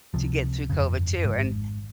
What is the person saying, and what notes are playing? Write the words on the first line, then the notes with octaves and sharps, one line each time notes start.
to get through COVID, too, and
C#2 C3 F3
G1 F2 C#3
G#1 G#2